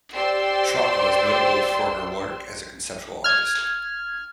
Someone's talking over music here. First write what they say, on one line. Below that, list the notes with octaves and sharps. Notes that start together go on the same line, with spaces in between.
Trockel is notable for her work as a conceptual artist.
G4 C5 D5 G5 C6 E6
F6 G#6